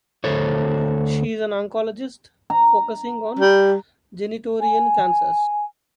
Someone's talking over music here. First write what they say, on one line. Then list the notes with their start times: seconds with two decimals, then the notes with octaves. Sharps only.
She is an oncologist focusing on genitourinary cancers.
0.24 D2 A4 C5 C#5
2.50 A#5
3.39 G3
4.60 G#5